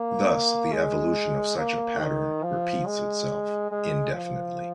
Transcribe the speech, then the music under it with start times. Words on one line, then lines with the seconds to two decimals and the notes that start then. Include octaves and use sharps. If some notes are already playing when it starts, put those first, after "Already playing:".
Thus the evolution of such a pattern repeats itself indefinitely.
Already playing: A#3
0.73 G#3
1.57 A#3
2.00 D#3
2.43 F3
2.86 G#3
3.71 G#3
4.14 F3